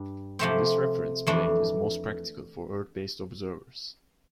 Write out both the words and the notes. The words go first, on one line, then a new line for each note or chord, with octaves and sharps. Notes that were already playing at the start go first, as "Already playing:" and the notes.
This reference plane is most practical for Earth-based observers.
Already playing: G2 G3 D4
C3 F3 A3 C4 G4
F2 E3 A3 D4